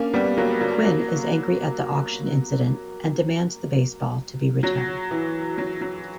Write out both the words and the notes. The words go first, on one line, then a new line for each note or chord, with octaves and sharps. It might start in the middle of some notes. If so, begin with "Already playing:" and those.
Quinn is angry at the auction incident and demands the baseball to be returned.
Already playing: A#3 C#4 D4
G3 B3
F#3 A#3
F#3 A#3
F#3 A#3
F#3
E3
F#3
F#3